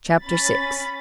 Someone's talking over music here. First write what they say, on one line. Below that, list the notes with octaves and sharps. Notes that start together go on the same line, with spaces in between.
Chapter VI.
C#4 B5 A6